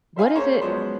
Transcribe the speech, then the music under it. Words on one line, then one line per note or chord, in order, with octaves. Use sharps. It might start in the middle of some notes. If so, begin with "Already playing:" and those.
What is it
C5 E5 F5 G#5
A#3 C#4 G#4 C5 C#5 A#5
F3 F#3 G#3 B3 C#4 C5